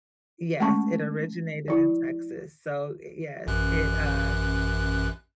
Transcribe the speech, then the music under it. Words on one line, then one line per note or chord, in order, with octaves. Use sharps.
Yes, it originated in Texas, so y yes, it, uh
G#3 A3 C#4 A5 C#6
F3 E4
A1 F#2 F#6